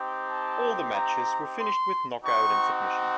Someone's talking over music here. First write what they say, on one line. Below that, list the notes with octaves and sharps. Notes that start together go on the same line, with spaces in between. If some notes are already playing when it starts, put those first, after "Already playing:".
All the matches were finished with knockout and submission.
Already playing: C4 D#4 G4
A5
A#5
C6
C4 D#4 F#4 C#6